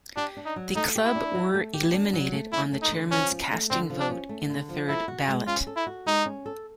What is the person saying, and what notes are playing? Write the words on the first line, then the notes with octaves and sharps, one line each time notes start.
The club were eliminated on the chairman’s casting vote in the third ballot.
D4 G4
D4
D#4
F#3
A3 D#4
G4
E4
D4
F#3
A3
G4
D4
F#3
A3
C#4 E4
A3
D#4
D3
F3 C#4
C#4
A3
D3 C4
F3
D4
C#4
A3
D3
F3
E4 A4
F#4
G#3
C#4 F4
A4
E4
F#4
G#3 D#4
C#4
A4